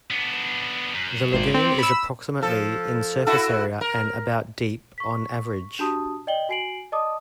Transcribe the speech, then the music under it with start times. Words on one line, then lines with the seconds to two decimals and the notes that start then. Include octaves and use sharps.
The lagoon is approximately in surface area and about deep, on average.
0.10 B3 D4
0.95 F#2
1.33 G#1 C5 D5
1.54 C4
1.79 B5 E6
2.42 F3 A4
3.27 E4 F#4 A4
3.81 A#4
4.98 C#6 B6
5.79 D4 F#4 G4 A5 D#6
6.27 D5 D#5 G5 F#7 G7
6.49 F#4 G#5 C7 D7 F#7
6.92 D5 D#5 A5 D6 D#6